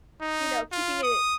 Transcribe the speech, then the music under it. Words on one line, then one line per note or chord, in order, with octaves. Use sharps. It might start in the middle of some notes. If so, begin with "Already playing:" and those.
you know, keeping it,
D#4
F4
D#6